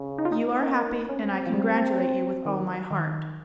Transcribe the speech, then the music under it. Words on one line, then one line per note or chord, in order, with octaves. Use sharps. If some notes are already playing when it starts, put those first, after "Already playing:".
You are happy, and I congratulate you with all my heart.
Already playing: C#3
D#4
F4
D#4
A#3 D#4
C4 C#4
F3
G3
D#3
D#3